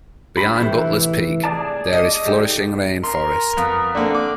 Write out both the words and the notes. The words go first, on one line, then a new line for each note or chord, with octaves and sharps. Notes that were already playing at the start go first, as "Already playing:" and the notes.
Behind Butler's peak, there is flourishing rain forest.
G2 C4 B5
A2 C3 E3 C5
G#4 D5 A5
D#5
G#2 G4 A4
A#4 C6
F2 B3
D3 A#3 C4 D4
D6